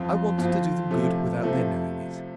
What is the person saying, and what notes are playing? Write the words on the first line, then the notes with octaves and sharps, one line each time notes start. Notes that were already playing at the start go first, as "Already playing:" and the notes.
I want to do them good without their knowing it.
Already playing: F2 F3 C4 F4
F2 F3 C4 F4
C3 F3 A3
C3 F3 A3